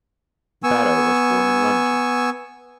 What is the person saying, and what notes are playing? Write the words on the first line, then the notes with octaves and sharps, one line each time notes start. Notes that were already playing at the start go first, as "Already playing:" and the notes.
Barrow was born in London.
B3 G#5 C#6 E6